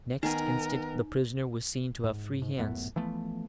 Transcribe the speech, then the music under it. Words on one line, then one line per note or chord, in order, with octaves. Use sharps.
Next instant the prisoner was seen to have free hands.
D#3 B3 D#4 A#4 G#5
G#2
G#2
D#1 F#2 A2 B3
E3 F3 A3 B3